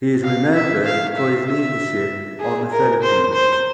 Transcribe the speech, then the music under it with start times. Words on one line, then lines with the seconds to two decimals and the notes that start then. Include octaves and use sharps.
He is remembered for his leadership on the Philippines.
0.24 F5
0.55 E5
0.85 F5
1.17 E5
1.47 E5
2.40 G#4
2.71 A#4
3.03 C5
3.33 C5